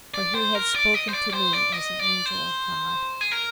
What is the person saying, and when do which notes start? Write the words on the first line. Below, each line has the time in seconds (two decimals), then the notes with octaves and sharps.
For he had spoken to me as an angel of God.
0.14 D5
0.35 C5
0.55 A#4
0.74 D5
0.94 D#5
1.09 C5
1.14 D5
1.30 D5
1.34 C5
1.53 D5
1.72 D#5
1.99 D5
2.26 C5
3.21 G#4
3.31 A#4